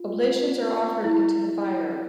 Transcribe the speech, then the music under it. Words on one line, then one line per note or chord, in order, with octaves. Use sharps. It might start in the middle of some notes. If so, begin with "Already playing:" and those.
Oblations are offered into the fire.
Already playing: F4
E4